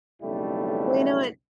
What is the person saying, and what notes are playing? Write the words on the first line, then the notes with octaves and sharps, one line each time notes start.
Well, you know what?
B1 F2 C#3 G3 A3 E4